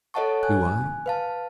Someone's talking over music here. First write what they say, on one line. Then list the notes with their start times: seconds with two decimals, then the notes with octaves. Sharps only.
"Do I?"
0.14 A4 C#5 D#5 F#5 A5 C#6
0.43 G#5 F#6
1.06 B4 F5 A5